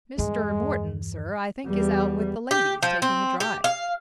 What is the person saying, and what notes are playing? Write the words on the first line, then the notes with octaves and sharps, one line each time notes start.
"Mr. Morton, sir, I think is out with the ladies, taking a drive."
E2 G2 G#3
E2 G3
G4
F3
C4
G4
F5